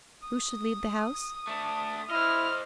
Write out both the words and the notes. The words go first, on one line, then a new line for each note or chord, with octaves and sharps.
Who should lead the House?
D#6
A3 D4
E4 C5 D#5 F6